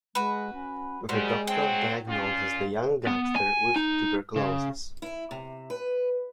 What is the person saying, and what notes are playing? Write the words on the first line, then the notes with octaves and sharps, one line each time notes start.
The doctor diagnoses the young gangster with tuberculosis.
G#3 F#4 B4
C#4
D#3 G3 G#3 F#4 G4 C5
F#3 C4 G5
A#2 C#4 F4
B3
G#5
D#4
C#3
E4
C3
B4